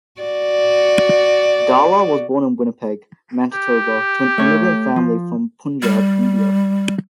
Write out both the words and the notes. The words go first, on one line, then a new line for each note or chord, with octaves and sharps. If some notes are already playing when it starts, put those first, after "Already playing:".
Dhalla was born in Winnipeg, Manitoba to an immigrant family from Punjab, India.
F#4 D5
G4
A3 C#5
F3
G3